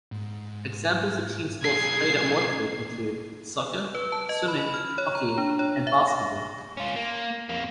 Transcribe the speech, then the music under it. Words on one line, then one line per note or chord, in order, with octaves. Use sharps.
Examples of team sports played at Waterford include: soccer, swimming, hockey and basketball.
G#2
B1 G#4 G#6 C7
B4
A5
D#5
B5
F6
C#5
A#5
D4
C#5
E5
A#6
C#4 F4
A#3
F2 A#3